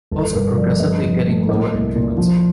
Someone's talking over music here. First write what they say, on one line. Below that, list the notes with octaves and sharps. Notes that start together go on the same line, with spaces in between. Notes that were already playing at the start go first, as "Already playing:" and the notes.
Calls are progressively getting lower in frequency.
G1 A4
G2 A#4
F3 D5
G2 D#5
F3
A3
A#3 D#5
C2
A#2
F3